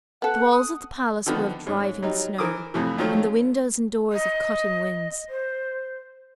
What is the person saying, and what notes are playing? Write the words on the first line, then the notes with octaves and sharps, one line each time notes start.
The walls of the palace were of driving snow, and the windows and doors of cutting winds.
B3 A4 F#5
D#6
D3 D#3 F3 B3
G#2 C#4
F#3 G3 D#4
E3 A#4 C5 D6 D#6
F2 A2 C3 E3
A#2 D#3 F3 F#3 A3
D#5
C5